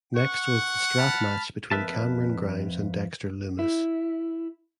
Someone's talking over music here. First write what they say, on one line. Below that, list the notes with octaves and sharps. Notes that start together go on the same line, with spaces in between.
Next was the strap match between Cameron Grimes and Dexter Lumis.
F#5 C#6
A5 B5 F6
F2 A#4 B4 E5 A5
E4